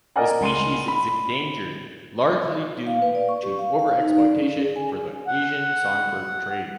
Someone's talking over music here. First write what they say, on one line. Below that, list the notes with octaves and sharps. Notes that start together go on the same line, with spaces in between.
The species is endangered largely due to overexploitation for the Asian songbird trade.
A#4 D5 D#5 F#5 G#5
C#2 C6 D#7
B5
F5
B4
D5
C#6
G4
F5
F5
D#4
D5
C#4
G#4
G#5
F#5